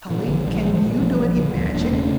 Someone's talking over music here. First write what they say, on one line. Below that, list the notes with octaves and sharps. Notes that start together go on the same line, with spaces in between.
"Polly, can you do any magic?"
A#2 E3
A#1 D3 F3
A#1 G3
A#2 F3
E3 G3
A#2
A#1 F3 A3
A#1
A#2 D3 F3
D2 E3 G3
E1 A#3 D4
C#3 A3 C#4